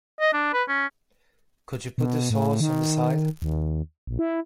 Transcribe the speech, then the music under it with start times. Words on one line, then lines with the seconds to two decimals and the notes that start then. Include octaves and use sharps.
Could you put the sauce on the side?
0.20 D#5
0.33 D4
0.53 B4
0.68 C#4
1.98 B2
2.30 A2
2.60 D#3
3.42 D#2
4.07 A#1
4.19 E4